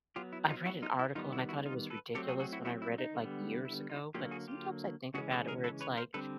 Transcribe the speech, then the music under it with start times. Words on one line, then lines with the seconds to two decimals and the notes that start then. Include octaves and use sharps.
I've read an article and I thought it was ridiculous when I read it, like, years ago, but sometimes I think about it where it's like,
0.16 F#3 B3 F4 G4
0.33 E4
0.49 D#4 F4
0.65 E4 F#4
0.82 D#4 F4
0.99 E4
1.15 D#3 G3 B3 D#4 F4
1.32 E4 F#4
1.49 E4 F#4
1.66 D#4 F4
1.90 A4 B4
2.15 F#3 A3 C4 G4 A4
2.28 F#4 G#4
2.40 F#4 G#4
2.53 E4 F#4
2.65 E4 F#4
2.82 E4
2.98 D#4
3.15 D3 G3 B3
3.65 E4
3.90 D#4 F4
4.14 D3 F#3 A#3 F4 G4
4.31 F#4 G#4
4.48 F4 G4
5.14 C#3 E3 G#3 C#4 F#4 G#4
5.31 G4 A4
5.48 G#4 A#4
5.64 A4 B4
5.81 B4 C#5
5.97 A#4 C5
6.14 D3 G3 C4 A4 B4